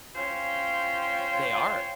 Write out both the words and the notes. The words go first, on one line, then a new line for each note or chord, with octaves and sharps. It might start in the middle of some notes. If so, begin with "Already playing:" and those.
They are.
C#4 F4 C5 C#5 G5